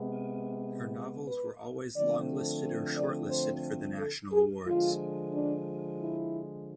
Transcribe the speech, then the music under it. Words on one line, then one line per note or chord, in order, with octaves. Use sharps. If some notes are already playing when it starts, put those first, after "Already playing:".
Her novels were always longlisted or shortlisted for the national awards.
Already playing: C3 G#3 B3
B4
D3 F3 A3 C4 D5
D5
C5
A4
G#4
D3 F3 G#3 F4
D4
E4